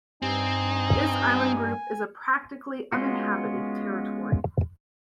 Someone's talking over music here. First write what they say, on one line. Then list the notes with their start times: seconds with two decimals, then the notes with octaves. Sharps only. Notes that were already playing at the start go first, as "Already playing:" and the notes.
This island group is a practically uninhabited territory.
0.22 G2 C4 D#4 G#5
2.92 G#3 B3 C#4 F4 F#4